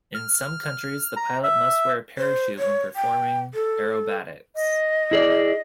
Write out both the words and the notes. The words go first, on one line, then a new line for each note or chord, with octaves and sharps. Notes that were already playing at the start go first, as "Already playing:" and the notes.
In some countries, the pilot must wear a parachute when performing aerobatics.
F6
A#5
E5
C5
C#5
G5
A4
D#5
E4 G#4 D5